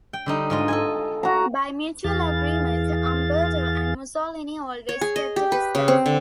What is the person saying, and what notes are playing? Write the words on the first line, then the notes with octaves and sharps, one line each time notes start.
By mutual agreement, Umberto and Mussolini always kept a distance.
G5
D3 G3 D#4
G#2 F4 D#5
A4 D#5 G#5
F#4 A#5
E2 E3 G#4 F5 A6
C#5
G#4
D#5
G4
B4
C#3
C4
D3